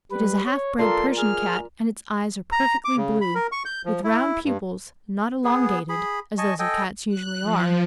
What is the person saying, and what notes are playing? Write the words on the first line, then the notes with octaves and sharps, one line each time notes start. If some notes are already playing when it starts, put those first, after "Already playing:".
It is a half-bred Persian Cat, and its eyes are perfectly blue, with round pupils, not elongated, as those of Cats usually are.
G3 B4
C#5
F4 A4 A#4 D5 C6
G#4 F6
A#5
D6
C#3
B5
A#4
C#6
G6
F3
E4
G2
B3 G#4
G#4 B5
D#5 G#5 A5 C#6
A4 D#5 G5 G#5
F#6
F3